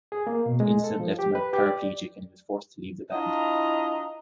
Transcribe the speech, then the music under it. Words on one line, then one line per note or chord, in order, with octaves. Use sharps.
The incident left him a paraplegic and he was forced to leave the band.
G#4
A#3
B2
G#3
A4
F3
G4
B4
G4
D5
D4 E4 F4 D#5 A#5